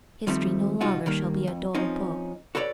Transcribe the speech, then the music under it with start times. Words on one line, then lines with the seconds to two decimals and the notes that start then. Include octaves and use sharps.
History no longer shall be a dull book.
0.27 D#3 F3 G3 A3 C4
0.81 C2 G3 D#4 F4 F#4
1.06 D#3 G3 A#3
1.47 F2
1.75 F3 C4 C#4 D#4
2.55 F#4 A4 B4 C#5 D5